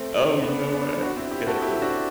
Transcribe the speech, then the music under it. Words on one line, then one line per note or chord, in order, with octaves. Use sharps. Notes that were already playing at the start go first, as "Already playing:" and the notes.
Oh, you know what? It could have been.
Already playing: A3 C4
B3 D4
B3 D4
D4 F#4
C4 E4
E4 G4
F#4 A4
E4 G4
E4
D4 F#4